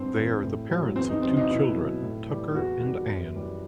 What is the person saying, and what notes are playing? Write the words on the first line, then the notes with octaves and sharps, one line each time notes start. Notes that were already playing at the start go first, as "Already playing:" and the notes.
They are the parents of two children: Tucker and Anne.
Already playing: G2 C4
E3 G3
A2
F#3
E2 C4
D#4
C3 F#3 C4
D#4
B2 E4
F#3
A2
E3 G3
E2 F#4
D#3 G3
F#2
E3 G3